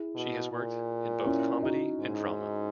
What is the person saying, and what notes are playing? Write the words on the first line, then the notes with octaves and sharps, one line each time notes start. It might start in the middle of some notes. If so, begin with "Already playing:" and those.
She has worked in both comedy and drama.
Already playing: E4 G#4
B2
A#2
C#4 E4
D#4 F#4
G#2